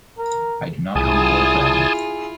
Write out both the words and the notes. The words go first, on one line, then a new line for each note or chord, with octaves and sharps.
I do not have a boyfriend.
A#4
C2 E4 F4 G#4 G#5 A5 D#6